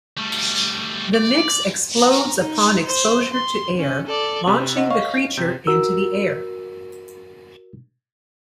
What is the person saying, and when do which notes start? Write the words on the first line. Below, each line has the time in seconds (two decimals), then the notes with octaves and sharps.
The mix explodes upon exposure to air, launching the creature into the air.
0.17 G3 A3
1.14 D5
1.97 A#5
2.38 D#4
2.86 C5
3.33 C6
3.78 C#4
4.07 A4 D5
4.47 C3
4.77 D#5 F#5
4.90 C#5 D#5 F5 C#6
5.37 C3 G6 B6
5.67 F#4 A#4 E6